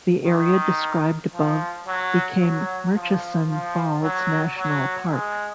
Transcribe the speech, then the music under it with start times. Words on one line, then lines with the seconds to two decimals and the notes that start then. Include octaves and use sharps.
The area described above became Murchison Falls National Park.
0.25 D#3
1.32 F3
1.87 F#3
2.40 F#3
2.95 F3
3.49 F3
4.03 F#3
4.57 F#3
5.10 G#3